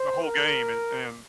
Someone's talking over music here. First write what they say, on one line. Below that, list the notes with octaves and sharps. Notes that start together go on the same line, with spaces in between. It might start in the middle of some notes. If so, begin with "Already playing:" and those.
the whole game and and
Already playing: C5
A#4